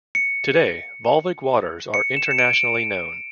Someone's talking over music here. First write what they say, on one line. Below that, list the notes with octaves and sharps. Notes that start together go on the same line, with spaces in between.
Today, Volvic waters are internationally known.
C#7
C#7
E7
C#7
D7
D7